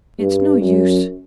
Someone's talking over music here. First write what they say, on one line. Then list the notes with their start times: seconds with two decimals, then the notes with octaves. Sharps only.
It's no use.
0.19 G2
0.61 F#2